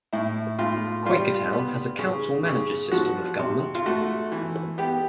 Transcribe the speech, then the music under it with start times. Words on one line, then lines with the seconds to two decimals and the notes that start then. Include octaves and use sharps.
Quakertown has a council-manager system of government.
0.13 A2 E4
0.59 A2 F4
1.06 G3 F4
1.53 B3
1.99 C#3
2.46 C#3
2.92 F3 F#4
3.39 C3
3.75 F4
3.86 A3 F#4
4.32 E3
4.78 B3 G4